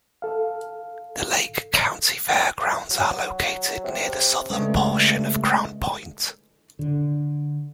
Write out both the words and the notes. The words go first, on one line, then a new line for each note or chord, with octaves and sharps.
The Lake County Fairgrounds are located near the southern portion of Crown Point.
A4 F5
F#3
C3
G2 C#3 G#3 A3
D3